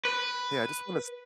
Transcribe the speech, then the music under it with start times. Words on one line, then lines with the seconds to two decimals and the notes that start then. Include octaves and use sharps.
Hey, I just wanna s
0.05 B4